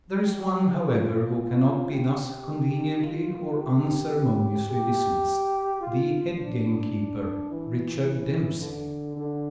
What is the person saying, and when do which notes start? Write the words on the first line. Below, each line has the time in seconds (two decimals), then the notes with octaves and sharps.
There is one, however, who cannot be thus conveniently, or unceremoniously, dismissed--the head-gamekeeper, Richard Dempsey.
0.23 G4
0.79 F4
1.91 G4
3.03 F4
3.58 G4
4.70 G4
5.81 F4
6.38 D4
7.50 E3
8.60 D3
9.16 D3